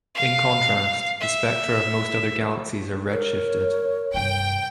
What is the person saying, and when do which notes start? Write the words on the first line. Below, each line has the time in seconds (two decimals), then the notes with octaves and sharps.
In contrast, the spectra of most other galaxies are redshifted.
0.15 F5
1.20 E5
3.12 A#4 C#5
4.14 G2 C3 G5